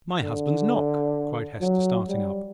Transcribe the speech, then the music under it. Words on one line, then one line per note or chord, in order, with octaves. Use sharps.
"My husband's knock!" cried Hester, starting up.
D3
F#3
G3